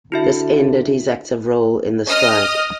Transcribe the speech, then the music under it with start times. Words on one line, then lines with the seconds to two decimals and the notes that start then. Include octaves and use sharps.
This ended his active role in the strike.
0.12 D3 E4 F#4 E5
2.08 D#5 D#6 F6